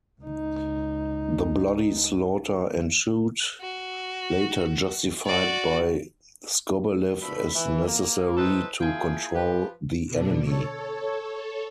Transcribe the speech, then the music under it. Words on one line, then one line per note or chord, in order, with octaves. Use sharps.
The bloody slaughter ensued, later justified by Skobelev as necessary to control the enemy.
C#2 D#4
F#4
F#4 D5
B2 D4 F4 E5 B5
E3
A#3
D#4 E4 G4 A4 B4 C5
F3 A#3 E4 F4 G#4 G5
F3 G4 B4
B2 D3 D4
A4 C#5